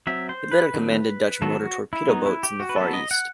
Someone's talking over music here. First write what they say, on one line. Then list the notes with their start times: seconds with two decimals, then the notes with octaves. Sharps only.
He later commanded Dutch motor torpedo boats in the Far East.
0.07 F#3 C4 E5
0.29 C5
0.52 B4
0.74 D#3 F#3 A3 C4
1.42 D#3 F#3 B3 A4
1.59 F#4
1.93 E4
2.09 F#3 B3 D#4
2.26 E4
2.43 G4
2.60 F#4
2.69 B4
2.76 F#3 B3 A4
2.94 D#5
3.11 F#5